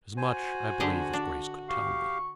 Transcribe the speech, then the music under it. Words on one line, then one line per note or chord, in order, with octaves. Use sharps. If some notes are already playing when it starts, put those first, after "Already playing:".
"As much, I believe, as Grace could tell me."
F#4 C5 G#5
D3 G4 G#4
D4
G4 F5 C#6